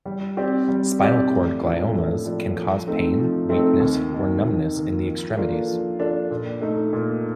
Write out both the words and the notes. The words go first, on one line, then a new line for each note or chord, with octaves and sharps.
Spinal cord gliomas can cause pain, weakness, or numbness in the extremities.
G3
C4 G4 D5
G3
C4 G4 D5
A2
F3 A#3 D4 A4
A2
F3 A#3 D4 A4
F3
A3 C4 D#4
F3
A3 C4 D#4
D#2
D#3 A#3 D#4
D#2
D#3 A#3 D#4
F3
A#3 D4 F4 A4
F3
A#3 D4 F4 A4
A#2
A3 D#4
A#2